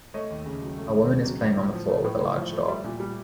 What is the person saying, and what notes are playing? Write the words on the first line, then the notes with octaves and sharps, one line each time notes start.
A woman is playing on the floor with a large dog.
A3 C#5 D#5
D#2
C#3
F#3
A3
D#2
C#3
F#3
A2
A2
F3
A3
A2
A2
F3
A3
G3 D5 E5
A#2
G3